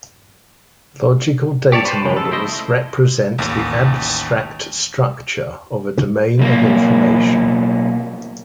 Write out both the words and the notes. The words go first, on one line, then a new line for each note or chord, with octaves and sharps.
Logical data models represent the abstract structure of a domain of information.
G4 C#5 D5 A5
B4 C5
C#3 F3 G#3
A4
A3 E4 C5 D#5
A1 D#2
B1 A#3